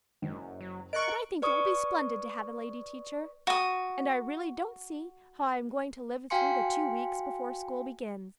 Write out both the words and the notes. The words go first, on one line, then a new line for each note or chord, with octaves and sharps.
But I think it will be splendid to have a lady teacher, and I really don't see how I'm going to live through the two weeks before school begins.
F#1 F#2
F#3
A#4 D#5 C#6 F#6 D7
B4 D5 C#6 D#6
F#4 D#6
F#4 F5 G5 G#5 C6 C#7